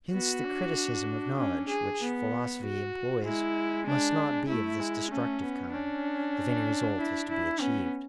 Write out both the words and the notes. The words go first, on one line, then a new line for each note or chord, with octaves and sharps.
Hence the criticism of knowledge which philosophy employs must not be of this destructive kind, if any result is to be achieved.
B3 F#4
D4
C#4
G#4
B3
F#4
G#3 E4
D4
A3 E4
G#3
A3 C#4
B3
C#4 D4
E4
E4
B3 C#4